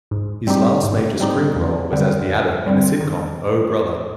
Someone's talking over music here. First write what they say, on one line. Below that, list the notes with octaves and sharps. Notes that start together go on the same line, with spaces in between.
His last major screen role was as the Abbot in the sitcom Oh, Brother!
G#2
G3 C4 D#4 G4
G#2
G3 C4 D#4 G4
F2
D3 G3 C4
F2
D3 G3 C4
D#3